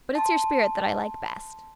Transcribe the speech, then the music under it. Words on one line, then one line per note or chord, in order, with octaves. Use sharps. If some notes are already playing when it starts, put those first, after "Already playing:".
But it's your spirit that I like best.
A5 C6